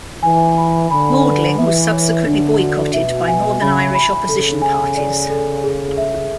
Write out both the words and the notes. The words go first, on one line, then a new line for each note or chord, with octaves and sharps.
Maudling was subsequently boycotted by Northern Irish opposition parties.
E3 G#5
B5
D3 B5
B4
E3 E5
C#5
D3 D4
F#4
B2 E5
G#5
C#3 B5
B5
C#3 A4
G#5
D5
A4
G#4
E5